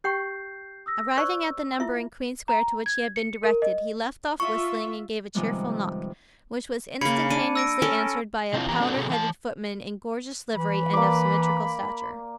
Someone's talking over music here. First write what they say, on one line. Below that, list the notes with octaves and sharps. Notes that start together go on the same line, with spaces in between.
Arriving at the number in Queen Square to which he had been directed, he left off whistling and gave a cheerful knock, which was instantaneously answered by a powdered-headed footman in gorgeous livery, and of symmetrical stature.
G4 G5 C#6 G6 C7
D#6 E6 A#6
C5 D5 C#6 E6
E4 F4 E5
A#5
G#6
C#7
A#4
D#5
F4 E5 C#6
C3 D#3 F3 G3 G#3 B3
C#3 A#3 B5 G#6 C#7
D4 D#7
E6 A#6 D7
C#4 A4 A#4
C3 C4 D4 E4 F4
E3 F3 A#3 G4 A#5
C4 D4 F#4 A4 B4
C3 F#3 B3 G#4 A4
E3 F5 A5
E3 B5
A#3 D5 D6